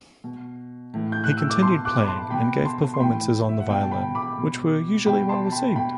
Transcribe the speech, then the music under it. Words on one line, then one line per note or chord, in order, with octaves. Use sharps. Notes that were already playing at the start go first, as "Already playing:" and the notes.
He continued playing and gave performances on the violin, which were usually well received.
B2
A2 E3
G6
F#6
E6
D6
B2 A5 C6
D6 F#6
B5
A5 C6
B2 G5 B5
A5 C6
C6
A2 E3 G5 B5
E5
F#5
B2 G5
A5
G5 B5
B5 D6
B2
B2 G5 B5
A5 C6
A5
G5 B5
B2 G5 B5